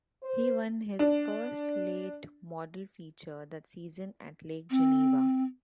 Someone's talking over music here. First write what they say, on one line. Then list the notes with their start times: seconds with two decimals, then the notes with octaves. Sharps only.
He won his first late model feature that season at Lake Geneva.
0.23 C5
0.99 D4
4.70 C4